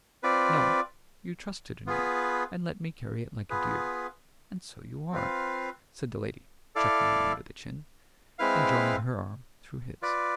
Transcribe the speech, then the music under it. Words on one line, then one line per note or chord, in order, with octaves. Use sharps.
'No; you trusted in me, and let me carry it like a dear, and so you are,' said the lady, chucking him under the chin, and drawing her arm through his.
C4 F4 B4 D5
B3 F4 G#4 B4
B3 F4 G#4 B4
C4 F4 B4 F5
E4 A4 D5 F5
G#3 C4 E4 B4 F5
F4 B4 D5